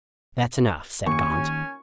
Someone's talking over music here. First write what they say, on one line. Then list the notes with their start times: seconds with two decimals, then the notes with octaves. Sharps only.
"That's enough," said Gaunt.
1.06 D#2 C#4 G#5 C#6